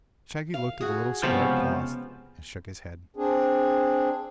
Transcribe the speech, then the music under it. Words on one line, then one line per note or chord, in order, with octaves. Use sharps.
Shaggy looked at the little square of cloth and shook his head.
F5
F#4 G#4
C#2 C3 F3 B3 C#4
C4 D4 G#4